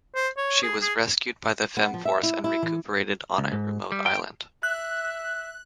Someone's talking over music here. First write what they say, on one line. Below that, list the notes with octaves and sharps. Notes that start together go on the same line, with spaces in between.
She was rescued by the Femforce and recuperated on a remote island.
C5
C#5
G#4
G#4
B3
F3
E5
E4
E4
E3
C#2
G#2
G3
G5
E5 F#6